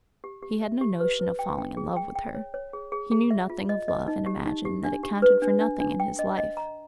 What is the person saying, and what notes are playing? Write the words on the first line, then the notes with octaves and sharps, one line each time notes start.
He had no notion of falling in love with her. He knew nothing of love and imagined that it counted for nothing in his life.
G4
G4
E5
G4
B4
B4
G5
G5
G#4
G5
G5
C#5
C#5
G#4
G#4
G#4
E5
F4
D#5
D#5
D#4
G4
D#4
G4
D4
G4
B4
D4
D4
D4
G5
D#5
D#5
A#5